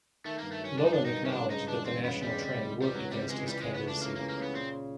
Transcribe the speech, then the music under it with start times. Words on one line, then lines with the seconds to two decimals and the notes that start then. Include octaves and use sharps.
Loewen acknowledged that the national trend worked against his candidacy.
0.25 D#3 A3
0.38 G2 A#3
0.51 A3
0.61 F#3 C#4
0.78 G2 D4
0.85 D#4
0.93 D4
0.97 D#3
1.05 D#4
1.14 G2
1.25 C#4
1.32 C#3 D4
1.50 G#3 D#4
1.68 E3 D4
1.86 E2 C4
2.04 C#3 B3
2.22 G3 G#3
2.40 C3
2.58 C#2
2.76 E3
2.82 G3
2.94 C#2 F#3
3.11 C3 G3
3.30 C#2 G#3
3.47 E3 G3
3.61 G#3
3.66 C#3
3.74 B3
3.84 A3 D4
4.02 C#3 A#3
4.16 E3 A#3
4.29 A#3
4.37 C#3
4.42 B3
4.55 A#2 C4